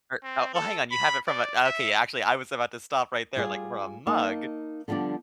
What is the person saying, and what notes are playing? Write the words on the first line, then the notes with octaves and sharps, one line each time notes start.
Or oh, hang on. You have it from a okay, actually, I was about to stop right there, like, from a mug?
C4
A4
B5
D5
E5
G3 F4 G#4
A#3 D#4 A5
D3 F3 G3 B3 D4